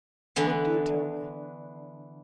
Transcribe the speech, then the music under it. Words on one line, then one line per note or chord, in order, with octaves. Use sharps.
"But do tell me!"
D3 E3 B3